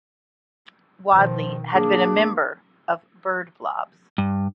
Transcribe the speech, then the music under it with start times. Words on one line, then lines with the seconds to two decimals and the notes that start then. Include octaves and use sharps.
Wadley had been a member of Bird Blobs.
1.11 B2 D#3 F3
1.74 A#3 D4 G#4
4.18 G2